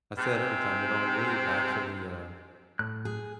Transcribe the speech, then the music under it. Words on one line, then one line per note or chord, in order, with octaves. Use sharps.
I say it every time, you know, in League, I actually, uh,
G#2 C3
A2 F#6
G#4